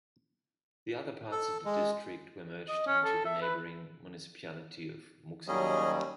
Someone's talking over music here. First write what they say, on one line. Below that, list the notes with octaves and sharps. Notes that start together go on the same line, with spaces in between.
The other parts of the district were merged into the neighbouring municipality of Muxika.
A4
G#3
D#5
C#4
A4
E5
B4
D#2 F#3 G3 C#4 G#4 D#5